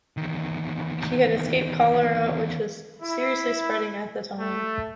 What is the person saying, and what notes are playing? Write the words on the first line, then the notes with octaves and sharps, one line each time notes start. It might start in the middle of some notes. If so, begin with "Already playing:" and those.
He had escaped cholera which was seriously spreading at the time.
E2 D#3
E4
A3